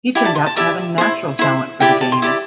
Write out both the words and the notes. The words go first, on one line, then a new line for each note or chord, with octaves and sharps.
He turned out to have a natural talent for the game.
E4 G4 D5 G5
A5
C6
A5
E4 G4 D5 E5
E4 C5
E4 C5
E4 G4 D5 G5
A5
C6
E4 G4 D5 D6